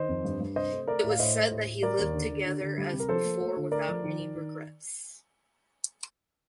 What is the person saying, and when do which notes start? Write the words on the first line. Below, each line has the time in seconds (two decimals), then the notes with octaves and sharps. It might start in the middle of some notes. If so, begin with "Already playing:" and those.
It was said that he lived together as before without any regrets.
Already playing: D#3 C5 D#5
0.09 F2
0.25 G2
0.40 G2
0.56 C3 C5 D#5
0.73 A3
0.88 A3 A#4 D5
1.04 A2
1.10 F5
1.19 A2 C5 D#5
1.36 A3
1.51 A2
1.67 A2
1.83 G3 A#4 D5
1.99 D#2
2.14 D3
2.30 D3
2.46 D3
2.61 D3
2.78 G3
2.93 C3
3.00 A#4
3.09 F3 A4 C5
3.25 A#3
3.41 A3
3.56 D3
3.72 A3 A#4 D5
3.88 F3
4.04 D#3
4.19 D#3
4.35 D#3